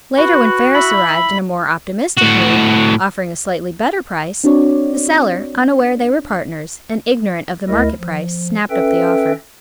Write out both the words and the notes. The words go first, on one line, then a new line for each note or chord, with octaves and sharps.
Later when Ferris arrived in a more optimistic mood, offering a slightly better price, the seller, unaware they were partners, and ignorant of the market price, snapped up the offer.
F#4 B4
E4 B5
A2 F#4
C4 D4 F#4 C#5 D5
D2 A3 E4 A#4 D#5
F3
C#4 A4 B4 E5 G5